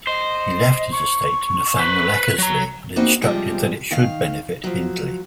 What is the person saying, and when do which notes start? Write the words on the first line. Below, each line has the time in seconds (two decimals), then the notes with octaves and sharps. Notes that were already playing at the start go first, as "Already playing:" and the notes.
He left his estate to Nathaniel Eckersley and instructed that it should benefit Hindley.
0.07 C5 D#5
0.91 C#6
1.78 B4 C5
2.38 F#3 A#5
2.96 A#3 C4 D#4 E4 F#4
3.22 C3 F3 G3 G#3
3.91 D#3 F5
4.64 F3 F#3